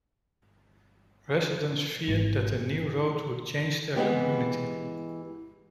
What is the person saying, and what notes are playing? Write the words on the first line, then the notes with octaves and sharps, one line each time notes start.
Residents feared that the new road would change their community.
G#1
E3 G#3 B3 G4